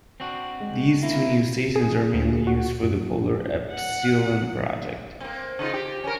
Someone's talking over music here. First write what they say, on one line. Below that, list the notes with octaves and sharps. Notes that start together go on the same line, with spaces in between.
These two new stations are mainly used for the Polar Epsilon project.
C4 D4 F#4
G#3
A#3 E4
G#4
D2
F#4
F#2
F#5
A#3 C4
C#3 D#4 F4
G4
C#4 A#4